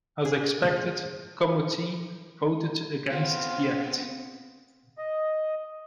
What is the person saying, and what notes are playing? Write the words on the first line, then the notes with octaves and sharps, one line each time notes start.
As expected, Comuzzi voted against the Act.
G#4
B3 C4 F4
D#5